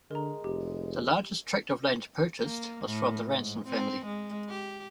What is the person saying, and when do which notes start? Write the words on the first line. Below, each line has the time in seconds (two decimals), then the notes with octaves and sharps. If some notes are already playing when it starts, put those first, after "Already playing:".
The largest tract of land purchased was from the Ranson family.
0.11 D3 G#3 A#4 A#5
0.44 F1 G4
2.43 A#3
2.85 A2
3.36 G#2
3.68 C4
4.06 G#3
4.49 G4